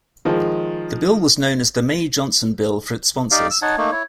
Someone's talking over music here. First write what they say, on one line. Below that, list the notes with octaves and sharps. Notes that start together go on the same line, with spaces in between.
The bill was known as the May-Johnson Bill for its sponsors.
D#3 F3 G#3
D#4 G4 D5 F5
E6
D#4 C#5 F#5 A5
A3 A#3 D#4
E4 C#5